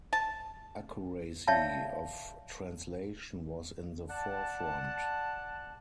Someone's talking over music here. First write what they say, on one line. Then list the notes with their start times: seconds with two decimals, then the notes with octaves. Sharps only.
Accuracy of translation was in the forefront.
0.13 A5
1.47 C#5 D5 E5 F5 G5 A5
4.10 D5 F#5 A5